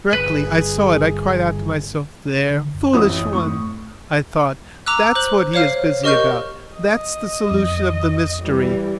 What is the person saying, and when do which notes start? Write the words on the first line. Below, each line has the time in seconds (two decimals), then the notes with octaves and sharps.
Directly I saw it I cried out to myself: 'There, foolish one,' I thought, 'that's what he is busy about; that's the solution of the mystery!
0.13 G1 G#4 B4
2.50 D3
2.74 F#2
2.93 A1 E4 D#6
3.33 A2 C#6
4.86 A#5 D6 E6 F#6
5.15 C5 F#6 F#7
5.54 C5 C#5 F5 F6
6.04 G4 A#4 D#5 C#6 F6 G6
6.77 D#5
7.51 F2
8.42 E3 G3